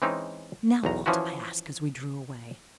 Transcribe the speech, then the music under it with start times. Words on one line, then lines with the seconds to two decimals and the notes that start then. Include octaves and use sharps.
"Now what?" I asked, as we drew away.
0.02 E3 G#3 C4 C#4 D#4
0.84 B1 E2 A#5
1.06 E3 F3 C#4 E4 F#4